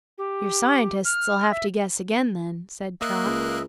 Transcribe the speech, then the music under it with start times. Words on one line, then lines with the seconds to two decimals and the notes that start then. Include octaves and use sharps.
"Your scientists'll have to guess again, then," said Trot.
0.18 G4
1.05 F6
1.50 E5
3.01 A#3 A#4 D#5 E5 F#6
3.25 C#2